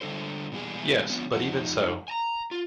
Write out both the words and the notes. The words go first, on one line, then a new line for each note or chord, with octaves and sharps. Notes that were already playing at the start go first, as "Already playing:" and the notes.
Yes, but even so.
D3 G3 D4 A4 C5
B2 E3 G3 A#3 G#4
D3 F3 B3 C#4
F2 F3 D#4 F#5
G#5 A#5
F4